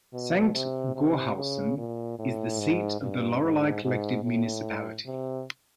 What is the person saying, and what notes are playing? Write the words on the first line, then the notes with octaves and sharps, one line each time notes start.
Sankt Goarshausen is the seat of the Loreley collective municipality.
B2
C3
C3
C#3
A#2
A2
G#2
G2
G#2
G#2
A2
C3